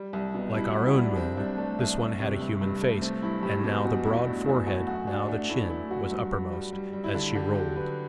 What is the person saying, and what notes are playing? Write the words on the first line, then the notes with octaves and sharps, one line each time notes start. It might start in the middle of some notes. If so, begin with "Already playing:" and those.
Like our own moon, this one had a human face, and now the broad forehead now the chin was uppermost as she rolled.
Already playing: G3
C2
B2
G3 E4
C2 F#4
E4
G3 D4
C2 C4
C2 D4
A3 D4
C2
A3
C3
G2
G2
A3
A3 C4
G2 E4
G2 G4
B2 G4
E2 F#4
B2 E4
A3 D4
E2 E4
A3 F#4
F#2 F#4
F#3 D4
A3 D4
A3 E4
A3 E4
F#3 F#4
G2
G2
G3
G3
G3
E4
D3
D3 G4
F#3 G4
F#3 B4